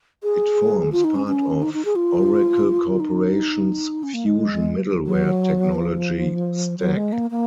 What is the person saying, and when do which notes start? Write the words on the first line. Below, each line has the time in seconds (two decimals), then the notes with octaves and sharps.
It forms part of Oracle Corporation's Fusion Middleware technology stack.
0.23 G#4
0.92 F4
1.04 D#4
1.15 C#4
1.27 C#4
1.62 D#4
1.74 D#4
1.85 G#4
1.96 F4
3.00 D#4
4.03 C#4
4.14 A#3
4.26 G#3
5.06 F#3
5.75 F3
6.78 F#3
6.96 G#3
7.13 A#3
7.31 A#3